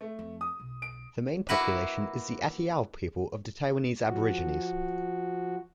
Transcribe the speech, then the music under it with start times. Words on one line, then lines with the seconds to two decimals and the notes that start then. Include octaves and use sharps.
The main population is the Atayal people of the Taiwanese aborigines.
0.01 A3
0.19 F2
0.41 D#6
0.60 B1
0.82 D7
1.49 A#3 E4 F#4 B4
4.07 F3 F#4